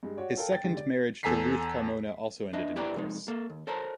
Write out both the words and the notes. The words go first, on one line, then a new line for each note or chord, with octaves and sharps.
His second marriage to Ruth Carmona also ended in divorce.
G2 G#3
F#4 G4 C#5 D5
A4 A#4 F5 G5 A5
G5 A6
D#2 D3 G#3 G4
D5
E2 A4 G#5 A#5 B6 C7
D4 B4 D#5 E5
E4 G4 B4 D5 G5 A#5
C2 F2 G#3 D#4
A#3 A4
D#2
A4 A#4 C5 C#5 A5 A#5